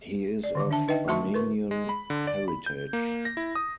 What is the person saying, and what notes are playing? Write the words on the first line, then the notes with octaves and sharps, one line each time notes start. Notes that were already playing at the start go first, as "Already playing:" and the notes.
He is of Armenian heritage.
D5
D3 D#3 D6
D4 E5 A5
D#4 B4 D#5 E5 G5
A3 F#4 E5 A5 C6 C#6
A#4 B4 C6 C#6
G#3
B5
D3
D5
B5
G6
A#3
A#6
E4
D#6